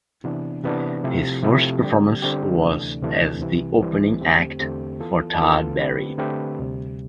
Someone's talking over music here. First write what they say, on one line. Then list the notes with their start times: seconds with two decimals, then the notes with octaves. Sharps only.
His first performance was as the opening act for Todd Barry.
0.24 C3 E3 B3 D4
0.64 C3 E3 B3 D4
1.04 C3 F3 A3 E4
1.43 C3 F3 A3 E4
1.83 D3 G3 C4 G4
2.22 D3 G3 C4 G4
2.61 D2 C3 E3 A3 D4
3.02 D2 C3 E3 A3 D4
3.41 C2 C3 E3 G3 C4
3.81 C2 C3 E3 G3 C4
4.21 E2 D3 A3 C4 G4
4.60 E2 D3 A3 C4 G4
5.00 E3 B3 F4 A4
5.40 E3 B3 F4 A4
5.79 D3 A3 C4 G4 B4
6.18 D3 A3 C4 G4 B4
6.59 D2 C3 G3